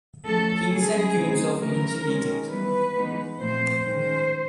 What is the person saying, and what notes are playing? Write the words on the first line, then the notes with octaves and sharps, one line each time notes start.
Kings and Queens of Ancient Egypt.
F3 A3 C#4 A4
C#3 F#3 A3 C#4 G#4
C#3 F#3 A3 C4 D#4
C#3 E3 A3 A#4
D#3 G#3 C#4
E3 G3 B3 B4
E3 G#3 B3 D#4
A#2 F3 A3 C4 C5
D#3 G#3 C#4 C5